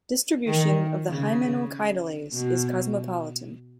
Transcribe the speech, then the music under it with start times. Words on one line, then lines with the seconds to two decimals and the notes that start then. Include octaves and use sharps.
Distribution of the Hymenochaetales is cosmopolitan.
0.47 D#3
1.09 C#3
2.33 B2